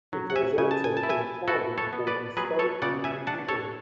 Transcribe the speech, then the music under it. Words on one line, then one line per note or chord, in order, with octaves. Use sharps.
It was also a target for historical revisionists.
F#3
F#5
E5 G#5
C#3 G#5
A5
G#5
A5
E4
E5 G#5
E4 F#4 A4
A4 C#5
B3
B4 D5
F#3 G#4 B4
A4 C#5
C#3 D5 F#5
E5 G#5
D4 F#5 A5
A4 C#5